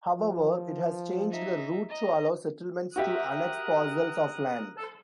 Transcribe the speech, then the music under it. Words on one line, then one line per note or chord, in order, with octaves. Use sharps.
However, it has changed the route to allow settlements to annex parcels of land.
F3
D#4 E5
D#5 A#5
F#4 G4 A#4 E5 D#6 F#6